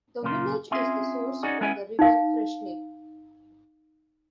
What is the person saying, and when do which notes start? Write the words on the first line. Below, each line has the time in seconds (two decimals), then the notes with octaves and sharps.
The village is the source for the River Freshney.
0.23 F#2 A#2 C#3 A#3 C6
0.71 C4 C#4 F4 G#4 E5 C6
1.43 C#4 D#4 F#4 G#4 D5
1.61 G#3 B3 C#4 E4 G#5
1.99 D#4 F5